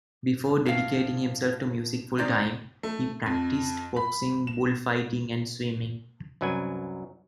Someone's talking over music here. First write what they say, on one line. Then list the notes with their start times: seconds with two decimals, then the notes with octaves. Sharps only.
Before dedicating himself to music full-time, he practiced boxing, bullfighting and swimming.
0.66 A2 F5
2.18 D#3 C4 D#4 D5
2.83 A3
3.26 F2
3.96 B5
4.47 E7
6.41 C2 F#2 F#3 B4 G#5